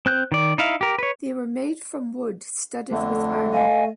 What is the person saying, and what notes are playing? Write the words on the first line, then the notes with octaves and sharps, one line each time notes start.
They were made from wood studded with iron.
C4 F#6 G6
D#3 D5
D#4 E4 F5
G4 A#4
B4 C#5
F2 D3 A3
D#5 F5 G#5